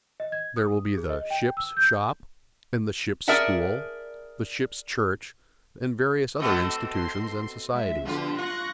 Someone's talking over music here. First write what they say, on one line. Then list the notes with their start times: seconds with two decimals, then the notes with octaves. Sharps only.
There will be the "Ship's Shop" and the "Ship's School," the "Ship's Church" and various other institutions and societies.
0.20 D#5
0.32 G#6
0.57 D#6
0.98 G#4
1.10 D#5
1.30 G5
1.57 E6
1.77 G6
3.27 G#4 A#4 D5 E5 F#5 A5
6.40 B2 A3 C4
6.94 C6
7.73 G#3 E5
8.06 B2 D3 F3 F4 G4
8.38 F4 C#6 F#6 A#6